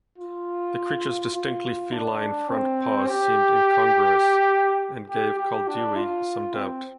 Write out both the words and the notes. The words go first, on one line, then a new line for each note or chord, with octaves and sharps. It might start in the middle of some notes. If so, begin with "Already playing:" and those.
The creature's distinctly feline front paws seemed incongruous, and gave Koldewey some doubt.
F4
F4
D4
C4
G4
G4
G4
D4
F4
C4